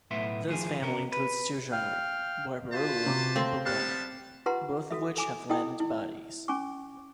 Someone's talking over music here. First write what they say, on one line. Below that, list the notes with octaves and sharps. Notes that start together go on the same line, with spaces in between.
This family includes two genera, "Barbourula" and "Bombina", both of which have flattened bodies.
B1 A2 B3 E5 C6
D#3 F3 G#4
C3 C#4 A#4
B4
F5 G5 F6
F4 F#4 B4 C5 F5 A5
C3 D6
A3 C4 F5 G6 A#6
G3 B3 G4 A5 F6 F#6 C7 C#7
F4 G4 B4 F#5 A#5 C6
F#4 A4 E5
A4 G#5 D6
E4 A4 D#5 G5 D#6
E4
C#4 G#5 C#6 D6